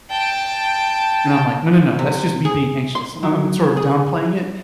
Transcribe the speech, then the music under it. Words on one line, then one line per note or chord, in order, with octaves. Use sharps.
and I'm like, "No, no, no, that's just me being anxious." I'm sort of downplaying it,
G5 A5
C3
G#4
C6
F#3
G#4